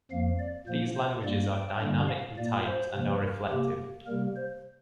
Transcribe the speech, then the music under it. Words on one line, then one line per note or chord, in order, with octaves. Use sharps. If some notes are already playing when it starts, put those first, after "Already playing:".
These languages are dynamically typed, and are reflective.
F2 F3 A#3 F5
D5
A#2 F3 A#3 C5
C5
G2 G3 A#3 D5
G5
G2 D3 G3 A#3
F5
A#2 A#3 D5
C5
C3 F3 A#3
A#4
C3 A#3 G4
C3 G3 A#3 A#4
C5